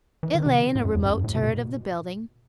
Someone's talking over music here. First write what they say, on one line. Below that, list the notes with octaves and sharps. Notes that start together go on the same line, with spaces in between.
It lay in a remote turret of the building.
E3
D#3
C3
A2
F#2
E2
F#2
G2
A2
C3
B2